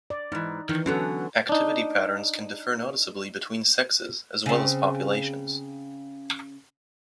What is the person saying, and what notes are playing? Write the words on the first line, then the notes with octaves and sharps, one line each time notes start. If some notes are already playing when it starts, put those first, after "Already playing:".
Activity patterns can differ noticeably between sexes as well as populations.
D5
G#2 E3 D#4
D#3 E3
D3 F#3 B3 C#4 A4
D4 D#4
C#3 C4